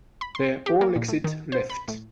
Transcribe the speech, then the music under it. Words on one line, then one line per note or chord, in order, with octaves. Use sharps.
They all exit left.
B5
C6
G4
A#3
A#2
A2
D#3
C5
B5
A2